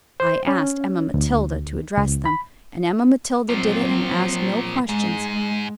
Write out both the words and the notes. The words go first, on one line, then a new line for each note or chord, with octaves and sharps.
I asked Emma Matilda to address them, and Emma Matilda did it and asked no questions.
C5
C#4
D2
C#2
B5
A#2 F3 F#3 C4
G#2 G#3